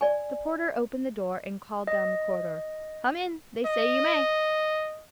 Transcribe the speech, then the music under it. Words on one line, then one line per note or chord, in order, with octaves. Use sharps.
The porter opened the door and called down the corridor: "Come in. They say you may."
D5 G#5
D#5
D#5